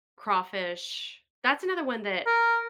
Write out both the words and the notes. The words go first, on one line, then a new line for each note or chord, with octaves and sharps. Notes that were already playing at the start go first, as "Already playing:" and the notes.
crawfish that's another one that
A#4